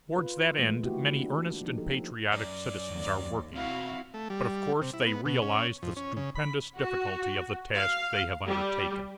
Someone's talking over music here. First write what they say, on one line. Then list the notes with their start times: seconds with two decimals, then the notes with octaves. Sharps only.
Towards that end many earnest and patriotic citizens are working; but of course they realize the stupendous difficulty of the task they have undertaken.
0.16 F4 B4
0.58 E3 G#3 A3
0.83 D#3 A#3 E4 F#4 G4
1.18 D4
1.61 F3 A#3 D#4
1.78 F3 G4 A4
2.32 F#2 D5
2.91 D#2
3.56 E2 B2 C4 E4 F#4 F5
4.14 A3
4.30 G3
4.82 C3
4.93 E4
5.07 B3
5.25 B2
5.42 C#4
5.82 F2
5.97 C#4
6.17 C#3
6.35 B5
6.78 F#4
7.74 F5
8.46 G3